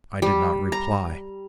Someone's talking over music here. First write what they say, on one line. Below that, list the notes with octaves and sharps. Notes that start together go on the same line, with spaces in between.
I did not reply.
G3
A#5